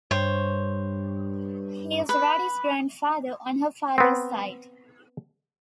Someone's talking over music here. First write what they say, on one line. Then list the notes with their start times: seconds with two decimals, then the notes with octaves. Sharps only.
He is Roddy's grandfather on her fathers side.
0.11 G2 C5 C#5
2.09 B4
3.98 B3 C4